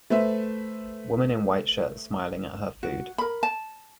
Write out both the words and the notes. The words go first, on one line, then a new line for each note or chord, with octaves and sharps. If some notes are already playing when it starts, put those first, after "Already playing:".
Woman in white shirt smiling at her food.
A3 B4 C5 E5
F#4
A#4 B5
A5